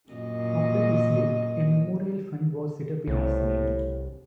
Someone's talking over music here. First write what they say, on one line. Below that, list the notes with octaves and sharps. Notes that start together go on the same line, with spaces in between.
After his death, a memorial fund was set up in his name.
F#2 A#2 D#5
C2 A2